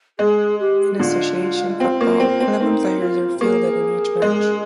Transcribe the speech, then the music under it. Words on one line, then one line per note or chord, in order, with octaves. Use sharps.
In association football, eleven players are fielded in each match.
G#3 G#4
G4
G4
D3 F4
C4
A#3
C4
C4
C4 D#4
F4
A#3 G#4
G#3